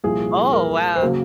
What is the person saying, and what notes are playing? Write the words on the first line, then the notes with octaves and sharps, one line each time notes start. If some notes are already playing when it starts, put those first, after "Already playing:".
Oh, wow.
C2 A#2 F3 G#4
A#4
C5
C#3 F#3 A#3 A#4